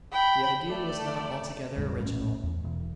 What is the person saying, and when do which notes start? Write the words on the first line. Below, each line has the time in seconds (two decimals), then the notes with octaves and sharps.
The idea was not altogether original.
0.12 G5 B5
0.68 A3 D5
1.77 A1 E2 G2 G#3
2.03 A#1 A2 C#4
2.43 E2
2.64 E1